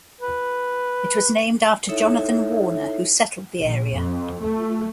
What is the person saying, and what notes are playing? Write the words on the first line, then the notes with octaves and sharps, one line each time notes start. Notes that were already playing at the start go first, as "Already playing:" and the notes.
It was named after Jonathan Warner, who settled the area.
B4
D#4 E4 A4 C#5 E5
A#1
F2
A3